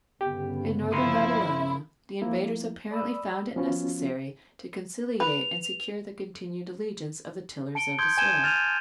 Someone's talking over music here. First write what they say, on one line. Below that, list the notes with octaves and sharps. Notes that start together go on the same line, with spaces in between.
In northern Babylonia the invaders apparently found it necessary to conciliate and secure the continued allegiance of the tillers of the soil.
G1 C#3 B3 G4
F3 E4 A#4 C6 D#6
F3 A#3 E4
D5 B5 D#6 E6
F3 B3 C#4 F4 F#4
B4 F7
A5 C#7 D7 G7
C6 D#6 G6 G#6 G7
G#5 G6 G#6 D#7 E7 G7
F6 G6 A6 D#7 F7